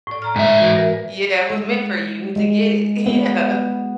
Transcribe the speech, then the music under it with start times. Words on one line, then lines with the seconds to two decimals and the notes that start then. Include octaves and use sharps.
Yeah. It was meant for you to get it. Yeah.
0.07 A2 D5
0.22 D5 A#5 F6
0.36 G#2 G#3 E5
0.58 E3 F#4 B4
0.76 A#4 E5
1.50 G#3
2.36 G#3
3.06 B3